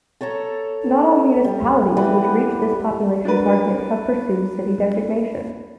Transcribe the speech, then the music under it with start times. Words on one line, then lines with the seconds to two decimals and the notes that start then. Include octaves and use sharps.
Not all municipalities which reach this population target have pursued city designation.
0.21 A4 C#5 A5 A#5
1.45 G3
1.97 E3 G3 B4 F#5
3.25 D4 F#4 A#4 B4